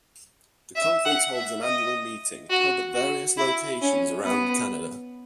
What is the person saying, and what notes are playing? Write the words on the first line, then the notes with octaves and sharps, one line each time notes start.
The Conference holds an annual meeting, held at various locations around Canada.
E5
F#5
E5
D#5
F#4
F#4
E4
C#4
B3